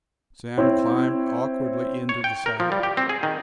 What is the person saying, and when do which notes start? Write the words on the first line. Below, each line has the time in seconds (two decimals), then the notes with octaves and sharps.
Sam climbed awkwardly into the saddle.
0.58 C4 E4 C#5
2.09 C#5
2.24 G5
2.46 A#4
2.60 F3
2.72 G3
2.83 G4
2.97 C4
3.09 G#4
3.23 D#3